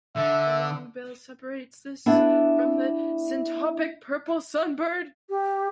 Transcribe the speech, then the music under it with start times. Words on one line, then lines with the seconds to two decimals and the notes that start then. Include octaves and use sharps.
The long bill separates this from the syntopic purple sunbird.
0.16 D3 E5
2.06 B3 D4 E4 G#4 E5 F#5
5.29 G4